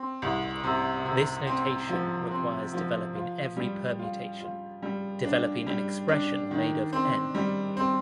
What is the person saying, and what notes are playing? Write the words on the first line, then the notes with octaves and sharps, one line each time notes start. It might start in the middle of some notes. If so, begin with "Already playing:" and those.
This notation requires developing every permutation, developing an expression made of "n"!
Already playing: C4
C2
C3
C3
C4
F3
C4
F3
F4
G3
F4
F4
G3
D4
G3
D4
D#3
C4
G3
C4